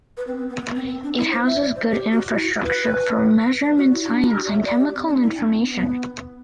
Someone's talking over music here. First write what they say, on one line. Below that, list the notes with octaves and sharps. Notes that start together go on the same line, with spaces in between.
It houses good infrastructure for measurement science and chemical information.
B4
C4
C4
B3
B3
C4
C4
D4
E4
C5
E5
D5
C5
G4
F#4
E4
F#4
B4
D5
F#4
E4
D4
F#4
G4
D5
E5
D5
G4
C4
D4
E4
D4
C4
B3